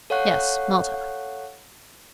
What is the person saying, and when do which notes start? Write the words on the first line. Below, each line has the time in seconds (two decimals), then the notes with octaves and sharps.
"Yes; Malta."
0.10 A4 C#5 F5 F#5 C#6 F#6